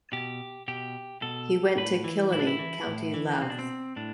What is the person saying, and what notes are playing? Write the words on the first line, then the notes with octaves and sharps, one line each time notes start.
He went to Killanny, County Louth.
B2 G4
B2 G4
B2 A4
A2 B4
E3
A2 E4
D4
E4
E3
A2
E3
B2 C4
D4
C4
A2 D4